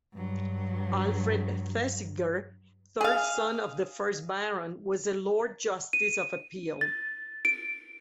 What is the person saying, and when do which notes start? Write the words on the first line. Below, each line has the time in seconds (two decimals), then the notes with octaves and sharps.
Alfred Thesiger, third son of the first Baron, was a Lord Justice of Appeal.
0.13 G2 F#3
3.01 G#4 F5
5.93 D#7
6.81 A6
7.45 D7